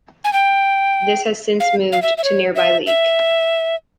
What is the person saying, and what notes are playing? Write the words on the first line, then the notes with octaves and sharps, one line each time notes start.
This has since moved to nearby Leek.
G#5
G5
F5
F5
E5
E5
C#5
E5
E5